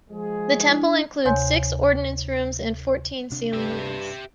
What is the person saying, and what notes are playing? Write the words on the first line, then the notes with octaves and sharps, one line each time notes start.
The temple includes six ordinance rooms and fourteen sealing rooms.
F3 G#3 G#4
D4 E4
D2 C3 C#5 G#5 C6 G6
D2 C3 D4
G2 G4 E5